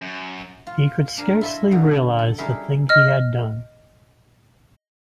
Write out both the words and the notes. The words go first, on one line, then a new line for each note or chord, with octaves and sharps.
He could scarcely realise the thing he had done.
F#2
F4
D4 A#4 F5 G#5
E4 F4 A4 D#5 E5
F#2 B2 D3
A4
G3 C#4 D#4 E4 G#4 A#4
D#5 F6